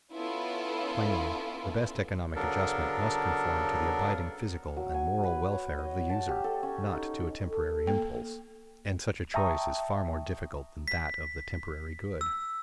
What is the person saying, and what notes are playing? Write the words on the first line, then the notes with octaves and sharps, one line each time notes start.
Finally, the best economic adjustment must conform to the abiding physical and moral welfare of the user, not to a temporary impulse; and such a choice is far more difficult than that of the temporary good.
B3 C#4 E4 F4 A4
C#3 F#3 B3 D4 A4 A#4
F#3
G#5
B4
C#5
D#5
A5
G4
A4
C#4
D#4
A4
A#3
E5 G5 A5 A#5 C#6 D#6
B6
E6